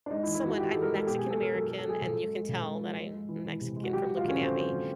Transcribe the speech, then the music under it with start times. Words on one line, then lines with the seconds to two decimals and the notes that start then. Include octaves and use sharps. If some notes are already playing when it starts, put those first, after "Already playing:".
someone I'm Mexican American, and you can tell that I'm Mexican from looking at me,
0.06 D4
0.11 G#3 D#4
0.23 E4
0.27 E3
0.35 E4
0.43 E3 F#4
0.58 E3 G4
0.71 A4
0.74 E3
0.82 A#4
0.90 G#3 A4
1.07 B2 G4
1.18 G#4
1.23 F#3
1.30 A4
1.37 F#3 A#4
1.54 F#3 A4
1.66 A4
1.70 F#3
1.78 A4
1.86 F#3 G#4
2.02 C#3 A4
2.18 G#3
2.34 G#3
2.49 C#3
2.66 G#3
2.81 F3
2.97 G#3
3.14 G#3
3.29 E3
3.45 E3
3.61 C3
3.76 G#3
3.84 F#4
3.92 F#3 G4
4.04 F#4
4.09 F#3
4.17 F4
4.25 D3 C#4
4.40 D3 C4
4.57 F#3
4.73 D3